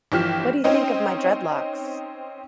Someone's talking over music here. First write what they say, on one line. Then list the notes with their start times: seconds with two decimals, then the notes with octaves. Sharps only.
What do you think of my dreadlocks?
0.12 G1 E3 F3 G4 F6
0.64 C4 C#4 D#4 D#5